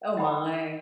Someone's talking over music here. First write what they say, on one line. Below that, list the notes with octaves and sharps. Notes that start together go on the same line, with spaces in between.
oh my,
D#5 F#5 G5 B5 C6 D6